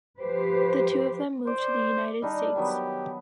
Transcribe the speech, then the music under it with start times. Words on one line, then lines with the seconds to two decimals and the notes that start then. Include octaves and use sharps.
The two of them moved to the United States.
0.20 F3 G4 B4 C5
1.47 C5 D5
2.22 G3 D4 D#4
2.56 D#3 F#3 B3 G4